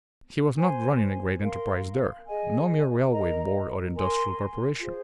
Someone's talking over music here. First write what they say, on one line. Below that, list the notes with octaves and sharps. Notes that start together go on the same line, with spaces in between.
He was not running a great enterprise there; no mere railway board or industrial corporation.
C5 G#5 C6
A#4 F5 C6
G#4 D#5 G#5
A#4 D#5 A#5
A#4 G#5 C6
F4 G#4 C5